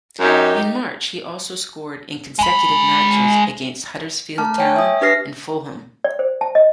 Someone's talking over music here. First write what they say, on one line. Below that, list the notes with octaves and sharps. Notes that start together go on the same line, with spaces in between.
In March, he also scored in consecutive matches against Huddersfield Town and Fulham.
F#2 D#4 G4
G#3 B5
A3 A5 F6
C#5 G5 G#5
E5 D#6
D4 G4 B4 F6 A#6 C7
D5
C5
A5
D#5